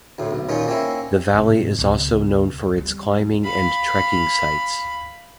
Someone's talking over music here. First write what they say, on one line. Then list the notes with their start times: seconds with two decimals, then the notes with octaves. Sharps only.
The valley is also known for its climbing and trekking sites.
0.19 D2 A2
0.31 B1
0.49 D#2 A#2 C#4 D#4 F4
0.68 A#3 C4 C#4 E4
1.34 G#2 C3
1.79 C#2 B2
2.78 G3
3.44 F5 B5